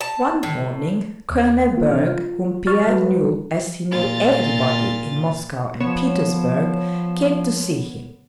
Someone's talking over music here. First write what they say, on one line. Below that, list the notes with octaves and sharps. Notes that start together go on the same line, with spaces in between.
One morning Colonel Berg, whom Pierre knew as he knew everybody in Moscow and Petersburg, came to see him.
A5
A2
D#2
A#3 F4
C3 E3 C4 D4 F6
F4
D5 C#6 F6 A6
G3 F#4 B4
A#2 F4 A6
F3 B3 C#5 E7